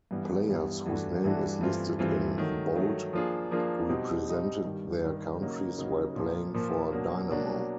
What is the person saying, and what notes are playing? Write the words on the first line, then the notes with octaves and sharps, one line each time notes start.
Players whose name is listed in bold represented their countries while playing for Dynamo.
G2 E3 G3 B3
G2 E3 G3 B3
G2 E3 A3 D4 F#4
G2 E3 A3 D4 F#4
G2 E3 A3 C4 F4
G2 E3 A3 C4 F4
D#3 F#3 A3
D#3 F#3 A3
F3 A#3 D4 F4 G#4
F3 A#3 D4 F4 G#4
B2 G3 C4 D#4
B2 G3 C4 D#4
G2 D#3 G3
G2 D#3 G3
C#3 F#3 A#3 D#4
C#3 F#3 A#3 D#4
A#2 F3 A#3
A#2 F3 A#3
B2 F#3 A#3 D4
B2 F#3 A#3 D4